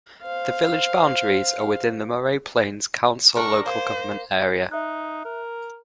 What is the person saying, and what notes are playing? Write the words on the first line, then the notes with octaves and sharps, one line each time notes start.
The village boundaries are within the Moree Plains Council local government area.
C5 F5
D4 A#4 C#6
A#3 C5
D#4 E5 F#6
A#4